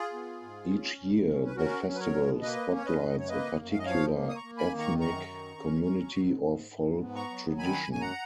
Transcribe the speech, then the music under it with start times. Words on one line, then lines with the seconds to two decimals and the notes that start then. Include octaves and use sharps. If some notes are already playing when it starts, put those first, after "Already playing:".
Each year, the festival spotlights a particular ethnic community or folk tradition.
Already playing: F4 G#4
0.13 B3
0.42 G#2
0.70 C#4
0.99 B2
1.27 C#4
1.46 B4
1.56 C#4 F#4 A#4
1.85 F#3
1.95 B4
1.99 A#4 C#5
2.14 B2
2.42 A#3 B4 D#5
2.71 C#4
2.77 C#5
2.85 B4 D#5
2.99 F#2
3.19 C#5
3.28 A#3 B4 D#5
3.57 F#2
3.71 F5
3.79 D#5
3.86 F3 C#5 F5
4.15 A#3
4.29 D#6
4.36 A#5 C#6
4.43 A#3
4.57 G#5 B5
4.72 D#3
4.79 A#5 C#6
5.00 F#2 A#5 C#6
5.29 D#3
5.58 C#4
5.86 F#3
6.15 G#2
6.43 G#2
6.72 G#2
7.01 B3
7.15 A#5 C#6
7.30 F#3
7.58 D#3 G#5 B5
7.87 F#2
7.92 G#5
8.01 F#5 A#5